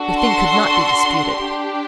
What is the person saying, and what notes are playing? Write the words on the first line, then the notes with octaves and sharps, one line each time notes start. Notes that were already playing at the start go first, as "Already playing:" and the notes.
The thing could not be disputed.
Already playing: D4 F#4 A4
C6
D4 G4